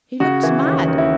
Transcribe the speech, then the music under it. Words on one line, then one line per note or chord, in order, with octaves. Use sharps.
He looks mad.
C#3 F#4
E3
D#2
D#2
E4